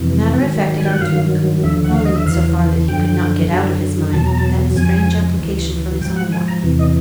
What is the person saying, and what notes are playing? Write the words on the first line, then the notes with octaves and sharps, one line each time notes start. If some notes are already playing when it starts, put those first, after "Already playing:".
The matter affected our Duke,--only in so far that he could not get out of his mind that strange application from his own wife.
Already playing: F2 C3 E3
G#2 D#3 F#3
G#5
G5
F#5
G2 D#3 F#3 F5
D#2 D3 F3 E5
F#5
F5
D#5
E5
E2 C#3 E3 F5
F#2 D3 F3 G5
F#2 D3 F#3
E2 B2 F#3 A5
A#5
A5
F2 C#3 F3 G#5
D2 C#3 E3
G#2 F3 G5
F#5
G#5
A#5
E2 C3 E3
D#5